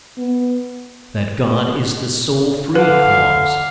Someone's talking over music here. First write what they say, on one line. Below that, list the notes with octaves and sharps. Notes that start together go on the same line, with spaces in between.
That God is the sole free cause.
B3
D3 B4 F5